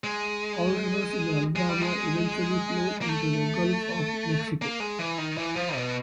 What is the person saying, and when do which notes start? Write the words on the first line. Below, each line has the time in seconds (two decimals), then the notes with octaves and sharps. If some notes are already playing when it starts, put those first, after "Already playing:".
All rivers in Alabama eventually flow into the Gulf of Mexico.
0.04 G#3
1.56 G#3
1.69 G3
1.81 G#3
3.01 A#3
3.09 A3
4.62 A#3
4.80 G#3
4.99 E3
5.18 D#3
5.37 E3
5.56 F3
5.75 B2